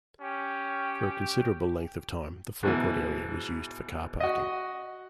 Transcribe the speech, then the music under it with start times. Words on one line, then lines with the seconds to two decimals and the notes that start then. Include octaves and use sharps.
For a considerable length of time the forecourt area was used for car parking.
0.20 C#4 G4
2.63 G#2 B2 E3
4.20 F#4 D#5